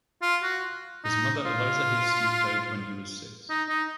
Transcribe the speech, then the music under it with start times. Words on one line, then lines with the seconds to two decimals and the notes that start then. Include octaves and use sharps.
His mother Eliza Hastie died when he was six.
0.22 F4
0.43 F#4
1.04 D#4
1.45 F4
3.50 D#4
3.69 D#4